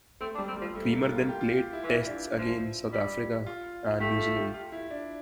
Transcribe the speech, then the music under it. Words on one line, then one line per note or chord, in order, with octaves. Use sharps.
Cremer then played Tests against South Africa and New Zealand.
A3 C4
D4
G3
C4
G3
F3
A3
A#3
F4
F4
G4
F4
G4
E4
E3 F4
D4
E4
F3
G3
F4
A3 G4
F4
G4
F4
E4
D4